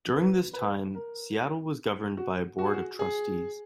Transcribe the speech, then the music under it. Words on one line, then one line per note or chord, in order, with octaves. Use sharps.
During this time, Seattle was governed by a Board of Trustees.
B4
B4
A#4
F#4
F#4
G#4
F#4
G#4